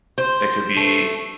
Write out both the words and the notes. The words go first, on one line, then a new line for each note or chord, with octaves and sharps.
It could be
C5
A3